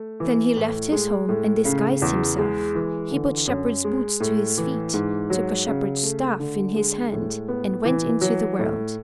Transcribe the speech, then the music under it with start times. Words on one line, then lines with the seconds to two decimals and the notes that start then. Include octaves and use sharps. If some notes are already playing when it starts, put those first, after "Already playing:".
Then he left his home, and disguised himself; he put shepherd's boots to his feet, took a shepherd's staff in his hand, and went into the world.
Already playing: A3
0.20 E3
0.57 A2
0.92 G#3
1.29 A2
1.65 C#3
2.02 E2
2.39 G#3
2.75 E3
3.11 D3
3.47 F#2
3.84 G#3
4.20 A2
4.58 E3
4.94 G#2
5.30 F#3
5.67 C#3
6.03 A3
6.40 D3
6.76 G#3
7.12 A2
7.48 B3
7.85 E3
8.21 F#3
8.59 A2